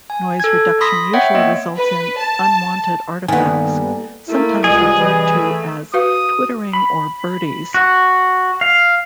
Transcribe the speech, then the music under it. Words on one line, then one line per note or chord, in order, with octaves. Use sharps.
Noise reduction usually results in unwanted artifacts, sometimes referred to as "twittering" or "birdies".
G#5
A4 G#6
B5 C6 D#6 A#6 B6
C#5 E5 F#5 G5
A#3 B3 C#5 D#5
B4
A5
G2 D#3 A#3 B3 A4 F#5 G#5
A3 A#3 E4
C#2 C3 G3 G#4 D#5
E3
A3
F#4 B4 F5 D#6
B5
F#4
F5